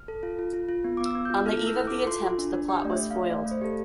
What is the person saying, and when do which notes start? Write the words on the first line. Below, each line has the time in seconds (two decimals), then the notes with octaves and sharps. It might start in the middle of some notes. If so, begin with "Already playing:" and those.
On the eve of the attempt, the plot was foiled.
Already playing: F6
0.08 A4
0.23 F4
0.39 F4
0.53 F4
0.69 F4
0.84 B3
0.97 D6
1.00 B3
1.06 E6
1.15 B3
1.25 F4 G6
1.46 A4 F6
1.61 E4
1.67 E6
1.77 E4
1.87 A4 D6
2.07 F4 C6
2.23 F4
2.38 D4
2.53 D4
2.68 G4 G5
2.85 A3 D5
2.90 E5
2.99 A3
3.11 A3 F5
3.30 A3 D5
3.46 A3
3.51 C5
3.61 G4 A4